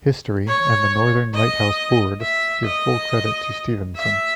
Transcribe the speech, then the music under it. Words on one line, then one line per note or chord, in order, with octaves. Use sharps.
History, and the Northern Lighthouse Board, give full credit to Stevenson.
C#5
D#5
E5
D#5
E5